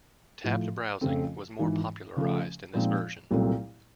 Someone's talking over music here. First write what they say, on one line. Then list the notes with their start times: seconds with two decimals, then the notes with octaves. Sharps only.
Tabbed browsing was more popularised in this version.
0.44 A2 F3 A3
1.01 F2 C#3 F3 A3 C4
1.59 G#1 G#2 E3
2.16 C#3 F3 A3
2.74 A#2 F3 G#3 C4 D#4
3.31 C2 A#2 F#3 A3 C4